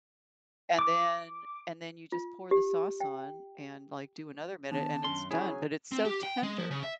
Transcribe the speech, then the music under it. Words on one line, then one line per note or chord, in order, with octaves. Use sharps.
and then and then you just pour the sauce on and, like, do another minute, and it's done; but it's so tender
D6
F4
G4
G5
D#3 B3 D4 A5
F#2 C#4 C6
F#3 C#4 E4 G#4 C#5 G#5
C4
G4
G5
G#3
F3
C#3
E5